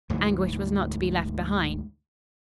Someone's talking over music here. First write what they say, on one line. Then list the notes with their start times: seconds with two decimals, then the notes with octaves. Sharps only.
Anguish was not to be left behind.
0.10 D2 G#2 E3 F#3